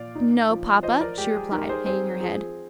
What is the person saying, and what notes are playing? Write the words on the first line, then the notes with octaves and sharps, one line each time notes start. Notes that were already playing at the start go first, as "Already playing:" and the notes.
"No, papa," she replied, hanging her head.
Already playing: A#2 D5 F5
D#4
F3
F3 C5 D#5
A#4 D5
G#3 G4
G#4
D#4 G4 A#4
G#4 C5
C4 G#4 C5
F3 G#4